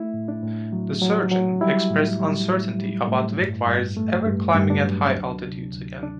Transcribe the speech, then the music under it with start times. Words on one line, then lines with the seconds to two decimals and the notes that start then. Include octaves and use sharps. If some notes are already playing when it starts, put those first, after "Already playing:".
The surgeon expressed uncertainty about Wickwire's ever climbing at high altitudes again.
Already playing: A3 E4
0.14 A2
0.28 D4
0.43 A2
0.73 F#3
1.02 F#3
1.31 F#3
1.61 G3 E4
1.90 A2
2.20 G3
2.50 A2
2.79 G3
3.08 A2
3.37 G2
3.67 G2
3.97 A3
4.26 G2
4.55 G2
4.70 D4
4.84 F#3
5.14 D2
5.43 C3
5.73 D2
6.03 D4